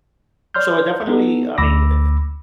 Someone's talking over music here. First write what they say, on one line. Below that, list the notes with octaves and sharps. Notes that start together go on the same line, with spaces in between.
So I definitely, I mean e e
C#5 D5 C6 F6 G6
B3 D#4 A4
D2 B5 D6 E6 A#6